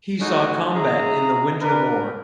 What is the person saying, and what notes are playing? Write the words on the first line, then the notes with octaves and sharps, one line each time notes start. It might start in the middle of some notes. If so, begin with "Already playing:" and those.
He saw combat in the Winter War.
G#3 A3 C#4 D#4 E4 F#4
C#3 D#4 G#4 E5 A#5
D4 A#4 B4